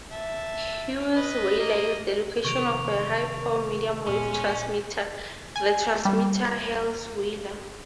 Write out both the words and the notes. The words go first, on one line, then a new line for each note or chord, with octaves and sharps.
Heusweiler is the location of a high power medium wave transmitter, the transmitter Heusweiler.
E5 A5
B4 D#5
A#3 D#5
C3 D#3 F3 C#6 D7 F7
D1 A#2 G#3 B3 C#4
G#5
G3